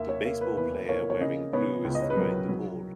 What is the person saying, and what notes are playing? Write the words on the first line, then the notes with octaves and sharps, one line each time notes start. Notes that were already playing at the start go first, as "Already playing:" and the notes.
The baseball player wearing blue is throwing the ball.
Already playing: D#2 A#3 E5
C#5
A#3
B4
E2 B4
A#3 C#5
C#5
C#3 D#5
B3 C#5
C#2
D#5
C#5
B4
F#3 A#4
F#3